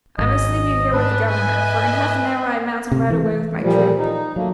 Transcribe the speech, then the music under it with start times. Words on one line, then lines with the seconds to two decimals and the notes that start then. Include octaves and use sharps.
I must leave you here with the governor, for in half an hour I mount and ride away with my troop.
0.18 G#1 G#2 D#5
0.93 G#2 D4 B4
1.29 D#5 E5 G#5
2.92 C3
3.10 E3 A3
3.62 A#2 F3 G3
3.98 D#4
4.36 F#3 A3 A#3